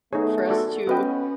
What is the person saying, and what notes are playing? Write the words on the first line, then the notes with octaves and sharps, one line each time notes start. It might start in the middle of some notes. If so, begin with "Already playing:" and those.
for us to
A3 B3 D#4 G#4 C#5
F#4 A4 D5
B3 C#4 F#4 B4 D#5 G5